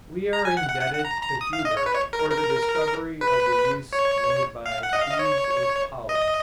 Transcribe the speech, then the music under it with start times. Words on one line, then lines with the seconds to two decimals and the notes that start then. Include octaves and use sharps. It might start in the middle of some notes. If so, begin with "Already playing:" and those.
We are indebted to Huber for the discovery of the use made by the bees of pollen.
0.33 A#5
0.45 G#5
0.57 F#5
0.69 F#5
0.81 F#5
0.93 F#5
1.05 A#5
1.23 A#5
1.41 D#6
1.53 F5
1.65 D#5
1.77 C#5
1.86 B4
1.95 C#5
2.13 A#4
2.31 A#4
3.21 B4
3.93 C#5
4.66 F5
4.83 F#5
4.93 D#5
5.01 F5
5.11 D#5
5.19 C#5
6.09 D#5